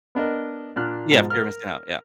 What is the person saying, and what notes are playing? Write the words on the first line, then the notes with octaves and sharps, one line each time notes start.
Yeah, fear of missing out, yeah.
B3 D4 A#4 D#5
A#2 D4 F6 F#6
G#2 B2 F3
A#4 F6